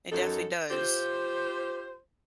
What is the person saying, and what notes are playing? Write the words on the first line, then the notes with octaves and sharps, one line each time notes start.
It definitely does.
F#2 D#4 A4
F4 G4 C5